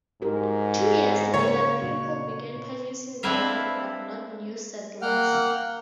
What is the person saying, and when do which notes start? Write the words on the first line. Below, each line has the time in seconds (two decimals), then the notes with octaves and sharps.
Two years later people began purchasing the land but not new settlers.
0.22 G#2 F#4 G4 A#4
1.34 C#3 A#3 C5 C#5
1.82 A#2 F#4
3.23 C4 D4 E4 B4 E5 F5
5.02 A#3 F#5 G5 F6